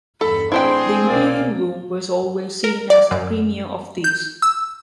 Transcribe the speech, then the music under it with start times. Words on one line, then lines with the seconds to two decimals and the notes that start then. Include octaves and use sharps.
The Imperial Room was always seen as the premiere of these.
0.21 E2 G2 A4 B5
0.52 A1 C4 D4 E4 G#4 C5 G5 C6
1.07 C2 B2 A#3 D5
2.64 A#4
2.90 D5
3.11 F#2
4.04 G6
4.42 E6